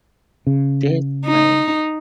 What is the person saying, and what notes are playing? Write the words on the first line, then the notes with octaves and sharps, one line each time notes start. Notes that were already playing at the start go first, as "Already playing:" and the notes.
this way
C#3
D#4